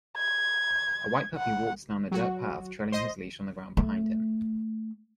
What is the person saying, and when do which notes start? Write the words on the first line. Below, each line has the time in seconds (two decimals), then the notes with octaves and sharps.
A white puppy walks down a dirt path trailing his leash on the ground behind him.
0.17 G#6
1.36 F#5
2.11 F#3 F#4
2.92 C5 D#5
3.77 A3